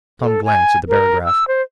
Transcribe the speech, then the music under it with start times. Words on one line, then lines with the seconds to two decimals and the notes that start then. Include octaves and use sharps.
Tom glanced at the barograph.
0.21 A4
0.45 G#5
0.88 A#4
1.25 E6
1.48 C5